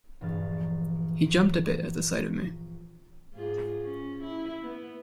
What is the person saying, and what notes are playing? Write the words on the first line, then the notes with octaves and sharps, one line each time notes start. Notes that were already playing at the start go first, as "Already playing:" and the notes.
He jumped a bit at the sight of me.
A#1 G2 E3 F6 A6
G#2 F4 G#4
C#4
E4
B3